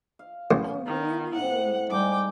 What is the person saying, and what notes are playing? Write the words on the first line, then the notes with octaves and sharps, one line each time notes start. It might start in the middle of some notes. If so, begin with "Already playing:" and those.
Oh, really?
F5
A1 B3
D#3
A2 C3 F#5
G#2 G3 D#4 G#4 G5 D6